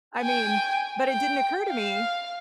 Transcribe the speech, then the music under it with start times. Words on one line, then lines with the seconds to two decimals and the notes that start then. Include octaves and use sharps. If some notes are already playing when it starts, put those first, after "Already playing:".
I mean, but, it didn't occur to me,
0.19 G5 G#5
1.04 G5
1.70 F5